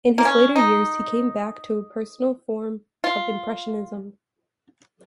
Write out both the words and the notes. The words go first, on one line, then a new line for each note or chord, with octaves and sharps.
In his later years, he came back to a personal form of impressionism.
A#3
C#4
D#4
F4